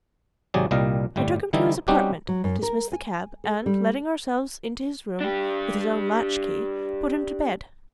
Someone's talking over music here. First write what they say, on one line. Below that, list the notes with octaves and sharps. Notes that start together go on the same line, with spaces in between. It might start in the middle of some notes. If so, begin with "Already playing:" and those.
I took him to his apartment, dismissed the cab, and, letting ourselves into his room with his own latch-key, put him to bed.
G#1 C3 F#3 G#4 D5
C2 A#2 G3 D#5 F5
G1 A2 G3
D3 E3 G3 D#4 E4
G3 C4 C#4 D#4 F#4 G4
F#3
F#2
A#4
G#5
A4
G3
D4 G4